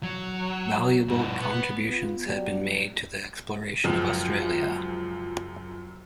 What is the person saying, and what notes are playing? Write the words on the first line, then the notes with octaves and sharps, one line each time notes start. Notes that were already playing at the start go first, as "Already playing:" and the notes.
Valuable contributions had been made to the exploration of Australia.
F#3
G2 B2
B3
B3 F4
F#3 F#4 G4 D5
C#2 F#2 F3